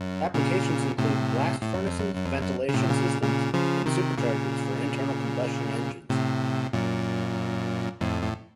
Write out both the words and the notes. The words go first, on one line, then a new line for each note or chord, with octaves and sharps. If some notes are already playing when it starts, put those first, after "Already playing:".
Applications include blast furnaces, ventilation systems, and superchargers for internal combustion engines.
Already playing: F#2
A#2 C#3
A2 C3
A2
F#2
F2
F#2
F#2
F2
F#2
C#3
A2 C3
A#2 C#3
A#2 C#3
C#3 F3
C3 D#3
A#2 C#3
A2 C3
F#2 A#2
F2 A2
A2